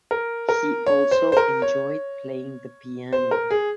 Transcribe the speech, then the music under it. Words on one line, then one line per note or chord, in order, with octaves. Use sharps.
He also enjoyed playing the piano.
A#4
A#4
C#5
C5
C5
A#4
C#5
C5
A#4
G#4